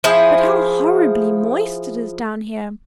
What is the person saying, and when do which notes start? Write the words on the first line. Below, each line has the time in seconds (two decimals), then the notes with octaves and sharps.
But how horribly moist it is down here!
0.04 F3 E4 G#4 C5